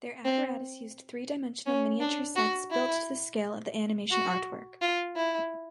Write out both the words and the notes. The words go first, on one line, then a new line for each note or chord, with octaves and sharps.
Their apparatus used three-dimensional miniature sets built to the scale of the animation artwork.
C4
C#4
D4
F#4
E4
F#4
F4
E4